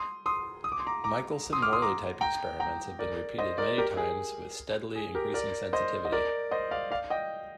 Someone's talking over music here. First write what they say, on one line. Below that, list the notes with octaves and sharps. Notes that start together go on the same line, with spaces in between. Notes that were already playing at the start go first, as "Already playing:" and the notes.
Michelson-Morley type experiments have been repeated many times with steadily increasing sensitivity.
Already playing: C6 D#6
C6 D#6
D#6
D6
C6
A#5 D6
A#5 D6
C6 D#6
D6 F6
C6 D#6
A#5 D6
G5 A#5
G5 A#5
A#4 D5
C5 D#5
A#4 D5
G4 A#4
G#4
G#4
G4 A#4
A#4 D5
C5 D#5
D#5
A#4 D5
C5 D#5
D5 F5
D5 F5
D#5 G5